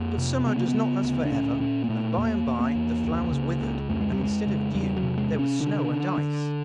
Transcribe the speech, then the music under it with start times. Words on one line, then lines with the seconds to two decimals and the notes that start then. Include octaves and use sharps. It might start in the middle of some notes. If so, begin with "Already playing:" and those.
But summer does not last for ever, and by-and-by the flowers withered, and instead of dew there was snow and ice.
Already playing: F2 A#3
0.18 C3
0.46 C#3 B3
0.57 A#3
0.68 B3
0.74 C#3
1.03 D2
1.25 D4
1.32 A#2 C#4
1.60 A#2 C#4
1.84 A#3
1.89 A#2 A3
2.18 E2 A#3
2.46 E2
2.60 A#3
2.75 E2
3.03 C#2
3.32 C#3
3.61 C#2
3.89 F2 A3
4.01 G#3
4.12 G3
4.18 F2
4.24 G#3
4.46 C#3
4.75 E2 G3
4.96 F#3
5.03 C3
5.18 G#3
5.32 C3
5.39 C#4
5.60 D3 D4
5.89 D3
6.18 D3